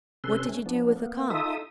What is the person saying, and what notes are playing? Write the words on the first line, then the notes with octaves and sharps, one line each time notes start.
'What did you do with the calf?'
C3 C#4 A4 B4 C6
A3 C#4
F3 B3 D4
A#3 B3
D#4 F4 A4 E5 D#6